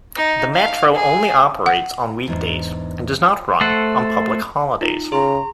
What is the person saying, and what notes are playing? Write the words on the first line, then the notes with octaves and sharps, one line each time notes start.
The metro only operates on weekdays, and does not run on public holidays.
D#4
F5
G#4
F#5
E2 G#2 D4
A3 A4 C5 F#5
D#4 F4
C#3 G#4 A#5 C6